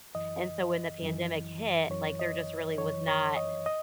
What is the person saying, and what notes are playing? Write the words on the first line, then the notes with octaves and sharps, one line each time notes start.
And so when the pandemic hit, like, there just really was not
F#2 E3 D#5
F#2 E3
F#2 E3 C#5
D#5
F#2 E3 C#5
C#5
D#5
D#5